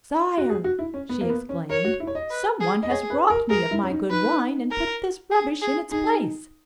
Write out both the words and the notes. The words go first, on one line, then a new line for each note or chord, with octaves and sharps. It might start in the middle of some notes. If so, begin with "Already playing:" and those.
"Sire," she exclaimed, "some one has robbed me of my good wine, and put this rubbish in its place."
F#4
G#4
F#4
E4
C#4
B3
A#3
B3
C#4
A#4 C#5
F#4
E4
C#5
D#5
B4
G#4
D#5
G#4 C#5
B4
A#4
G#4 A#4
E4
C#4
D#4
D#4 B4
A#4
G#4
G#4
D#4 G#4